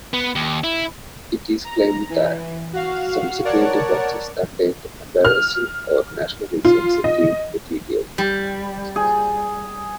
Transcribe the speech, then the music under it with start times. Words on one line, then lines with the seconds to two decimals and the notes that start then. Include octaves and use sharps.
It is claimed that some security boxes contained embarrassing or nationally sensitive material.
0.13 B3
0.36 D#2
0.64 E4
1.64 A#5
2.10 E3
2.73 F#4 F5
3.44 A#4 C#5 D5 F#5 A5
5.25 F6
6.65 F4
7.04 D#5
8.18 G3
8.96 G#4